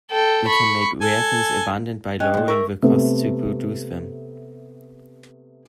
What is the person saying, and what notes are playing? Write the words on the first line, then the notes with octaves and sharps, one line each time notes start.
We can make rare things abundant by lowering the costs to produce them.
A4 G5
B5 C#6
A4 G#5
C#4 D#5 G5 F#6
F#2 A#2
A#4 E5 C#6
C3 A3 B3 G4 A4